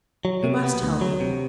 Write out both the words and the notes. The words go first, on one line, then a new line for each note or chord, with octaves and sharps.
You must tell me.
F#3
C3
B3
D2
F#3
C3